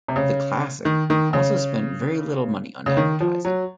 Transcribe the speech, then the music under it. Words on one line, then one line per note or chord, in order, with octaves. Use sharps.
The Classic also spent very little money on advertising.
C3
C#3
D#3
D#3
C#3
C#3
D#3
F3
F#3